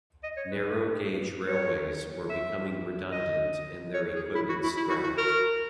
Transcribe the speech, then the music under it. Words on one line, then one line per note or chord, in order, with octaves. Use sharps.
Narrow-gauge railways were becoming redundant and their equipment scrapped.
D#5
C#5
B4
C#5
E5
D#5
C#5
G#4
E4
F#4
E4
E4
F#4
F#4
A#4